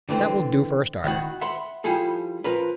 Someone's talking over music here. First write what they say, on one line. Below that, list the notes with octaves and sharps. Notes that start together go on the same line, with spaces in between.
That will do for a starter.
D3 E3 A3 C4
D#3 E4 F#4
E5 F#5 B5 C6
F3 G3 E4 G#4 A4
F3 A#4 B4